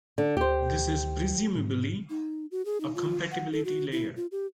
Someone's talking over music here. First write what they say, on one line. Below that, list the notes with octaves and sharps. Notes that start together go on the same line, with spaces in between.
This is presumably a compatibility layer.
D3
D2 G4 C5
G#2
D#4
F#4
G#4
D#4
F4
F#5
A4
F#4
E4
F4
G4